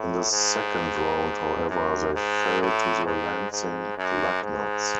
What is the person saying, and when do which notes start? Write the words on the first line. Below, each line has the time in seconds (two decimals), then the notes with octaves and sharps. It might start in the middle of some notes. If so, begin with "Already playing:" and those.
In the second round, however, they fell to the Lansing Lugnuts.
Already playing: A2
0.31 G#2
1.69 F#2
2.14 G#2
2.61 A2
3.05 G#2
3.52 G#2
3.98 F#2
4.43 G#2